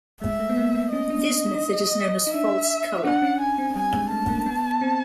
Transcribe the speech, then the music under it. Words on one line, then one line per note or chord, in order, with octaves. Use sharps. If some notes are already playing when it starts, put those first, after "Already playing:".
This method is known as false color.
G#3 E5
A3
B3
A#3
B3
C#4 D#5
D4
D4
D#4
D#4
D4 E5
D4 F#5
C#4
G#5
C4
G3 G#5
G#3
A3 A5
A#3
B3
C4